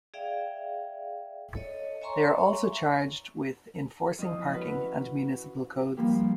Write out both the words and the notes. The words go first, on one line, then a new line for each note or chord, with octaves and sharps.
They are also charged with enforcing parking and municipal codes.
G#4 D5 E5 F5 G5
A4 C#5 D#5
C#5 E5 G#5 A#5 C6 C#6
F2 E4 D#6
C#4 F#4 B4
F3 G3 A#3 G4